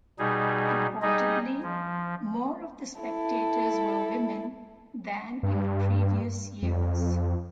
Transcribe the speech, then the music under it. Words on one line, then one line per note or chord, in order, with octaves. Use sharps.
Reportedly more of the spectators were women than in previous years.
B2 G3 D#4 G#4
G3 D#4 G#4 D#5
F3
E4 A4
G2
F2